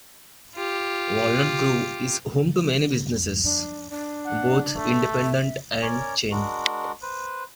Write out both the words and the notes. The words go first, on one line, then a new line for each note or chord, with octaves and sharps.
Walnut Grove is home to many businesses, both independent and chain.
F4 G4
D4
D4
F#5
A3
E5
C#4 A#4 C#5 D5
G#3 D4 F#4 A#4
B4 C5